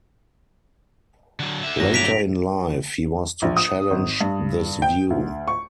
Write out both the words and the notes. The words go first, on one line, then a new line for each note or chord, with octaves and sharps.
Later in life, he was to challenge this view.
D3 F#3
D3 E5
G1 F#3 A#6
B6 D7 F7
A#1
D#6
G#1
G2
G5
D2
C#6